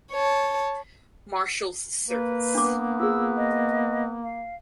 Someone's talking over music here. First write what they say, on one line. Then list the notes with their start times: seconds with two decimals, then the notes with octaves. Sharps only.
Marshals Service.
0.12 C#5 A5
2.09 A#3 B4
2.55 B3 D4 D6
3.00 F4 G#4 E6
3.37 D#5
4.23 F5